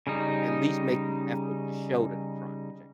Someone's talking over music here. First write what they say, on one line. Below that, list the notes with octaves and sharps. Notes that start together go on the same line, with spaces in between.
At least make the effort to show that I'm trying to change it.
C#3 G3 D#4